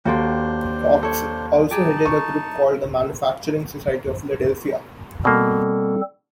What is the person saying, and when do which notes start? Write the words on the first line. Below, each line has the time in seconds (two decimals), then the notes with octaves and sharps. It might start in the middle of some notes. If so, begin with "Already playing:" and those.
Coxe also headed a group called the Manufacturing Society of Philadelphia.
0.05 D#2 D4 F#4 A4 C5 G5 C6
1.03 A4 C#5
1.71 D#4 G4 G#4 A5
2.05 C#6
5.25 B2 G3 A#3 C4 A4